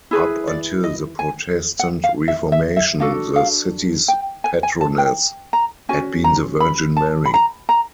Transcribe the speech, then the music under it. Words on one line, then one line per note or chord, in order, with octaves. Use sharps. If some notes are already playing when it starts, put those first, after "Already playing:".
Up until the Protestant Reformation, the city's patroness had been the Virgin Mary.
E4 G#4 B4
D5
D#5
G#5
F#5
F5
E5
E5
E5
D4 F#4 A4 F5
F5
G5
G#5
G#5
A5
G5
A#5
C#4 F#4 G#5
A#5
B5
A5
B5
A#5
A#5